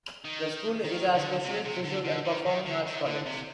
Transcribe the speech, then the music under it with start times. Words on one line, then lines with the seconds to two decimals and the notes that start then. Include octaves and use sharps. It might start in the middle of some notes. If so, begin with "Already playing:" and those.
The school is a specialist visual and performing Arts College.
0.25 D#3
0.85 D#3
1.15 D3
1.45 C3
1.65 C3
1.85 D3
2.05 D3
2.25 D#3
2.46 D#3
2.66 D3
2.86 D#3
3.06 D3
3.26 C3